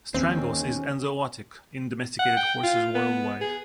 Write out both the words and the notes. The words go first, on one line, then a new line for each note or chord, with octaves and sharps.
Strangles is enzootic in domesticated horses worldwide.
D#2 C4 C#4
F#5
G5
F4
B3
G#4